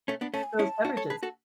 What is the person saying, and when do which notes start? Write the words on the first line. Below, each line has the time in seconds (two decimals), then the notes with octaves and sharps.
those beverages.
0.08 A3 C#4
0.21 B3 D4
0.34 A3 C#4 A5
0.43 G#5
0.54 A5
0.59 C#4 E4
0.85 D4 F#4
0.97 A4 C#5
1.10 G#4 B4
1.23 F#4 A4